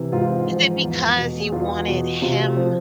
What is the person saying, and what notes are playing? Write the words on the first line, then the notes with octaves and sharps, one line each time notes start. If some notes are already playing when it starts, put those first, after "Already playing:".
Is it because you wanted him
Already playing: C3 E3
G#2 F4
F3
E2
B2
G#4
E2 F4
B2
C3 F4
F3